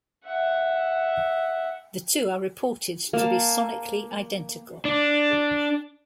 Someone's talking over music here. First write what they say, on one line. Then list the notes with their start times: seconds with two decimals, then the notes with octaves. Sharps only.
The two are reported to be sonically identical.
0.24 E5 F#5
3.13 A#3 A5
4.85 D4